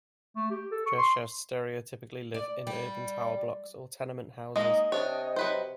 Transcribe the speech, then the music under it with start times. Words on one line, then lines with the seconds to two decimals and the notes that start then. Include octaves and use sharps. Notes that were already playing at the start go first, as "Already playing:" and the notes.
Dresiarze stereotypically live in urban tower blocks or tenement houses.
0.36 A3
0.50 G4
0.72 A4
0.86 C#6
0.98 C6
2.34 D5
2.67 G3
4.56 G#3 A#3 D#4 D#5
4.92 C3 D4 C#5
5.36 F#3 B4 C5